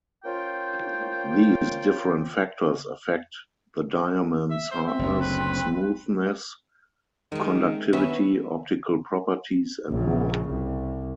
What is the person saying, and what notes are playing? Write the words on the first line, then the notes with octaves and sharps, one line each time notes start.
These different factors affect the diamond's hardness, smoothness, conductivity, optical properties and more.
A#3 C#4 F4 C5 G5
E5
C5
C4 E5
F#1 D2
B4
D#3 G#3 A3
D#3 B3 C#4 E5
A#1 C#3
C2